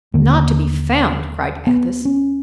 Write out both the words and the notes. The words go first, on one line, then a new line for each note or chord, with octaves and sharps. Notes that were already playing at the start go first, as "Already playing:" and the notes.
"Not to be found!" cried Athos.
D#2 D3 A#3
B3
C#4